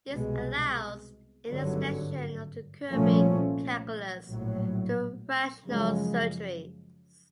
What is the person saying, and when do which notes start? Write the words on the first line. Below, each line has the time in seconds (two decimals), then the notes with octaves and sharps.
This allows an extension of the Kirby calculus to rational surgeries.
0.12 C2 B2 G#3
1.50 G#1 G2 D3 F#3
2.88 C2 A#2 F3 A3 C#4
4.27 A#1 A2 F#3
5.67 F#2 C#3 F3 G#3